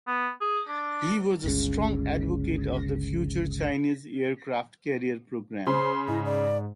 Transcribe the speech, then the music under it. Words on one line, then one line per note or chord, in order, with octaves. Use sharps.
He was a strong advocate of the future Chinese aircraft carrier program.
B3
G#4
D4
G1 C#2 C#3
C#3 C5 C6
G#2 E4
D5